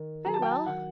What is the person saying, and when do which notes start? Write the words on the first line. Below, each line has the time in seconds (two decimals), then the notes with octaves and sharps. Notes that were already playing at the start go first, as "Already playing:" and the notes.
'Very well.
Already playing: D#3
0.24 F#3 A#5
0.34 A5
0.42 G5
0.51 A5
0.66 D#3 F#5